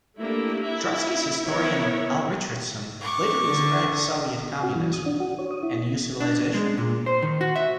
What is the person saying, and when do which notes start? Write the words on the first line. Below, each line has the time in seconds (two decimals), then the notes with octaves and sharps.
Trotskyist historian Al Richardson later described Soviet Communism: A New Civilization?
0.19 A3 A#3 D4 E4 G4
0.64 E4
1.48 B3 E4 A#4 C#5
3.01 C#6 D6
3.47 D3
4.63 F#4
4.76 E3
4.93 D#6
5.06 D4
5.20 F#4
5.39 C#5
5.51 D#6
5.63 E4
6.20 D4
6.54 G#3
6.78 A#2
7.06 C5
7.22 D#3
7.41 F#4
7.56 E5